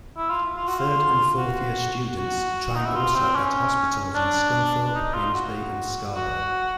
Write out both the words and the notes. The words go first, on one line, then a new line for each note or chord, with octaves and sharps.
Third and fourth year students train also at hospitals in Scunthorpe, Grimsby, and Scarborough.
E4
F4
F4
F#4
F4
F#4
F#4
D#4
E4
F4
C4
C#4
D4
D#4
F4
F#4
F#4